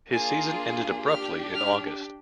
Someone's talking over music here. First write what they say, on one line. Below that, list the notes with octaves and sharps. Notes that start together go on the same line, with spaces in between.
His season ended abruptly in August.
A#3 D4 F4 G#4 G#5
D4 G4 F6
F6